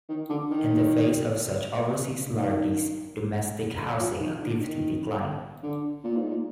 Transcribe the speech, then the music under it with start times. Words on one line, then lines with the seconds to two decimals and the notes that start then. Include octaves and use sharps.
In the face of such overseas largesse, domestic housing activity declined.
0.09 D#3
0.30 D3
0.51 D#3
2.35 D#3
4.00 F3
4.20 D#3
4.41 D3
4.60 D#3
5.63 D3
6.04 A#2
6.16 G#2
6.29 A#2